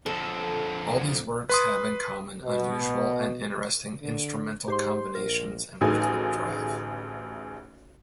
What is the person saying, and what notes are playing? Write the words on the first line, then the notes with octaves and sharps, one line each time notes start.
All these works have in common unusual and interesting instrumental combinations and rhythmic drive.
F2 D3 A4
B4 C6 D#6
B2
D3
G#2 G4 C5 C6
A#1 A#4
A1 D2 D#4 G#4 A4 G#5